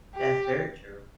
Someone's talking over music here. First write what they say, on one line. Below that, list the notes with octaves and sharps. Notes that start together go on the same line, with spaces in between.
That's very true.
G4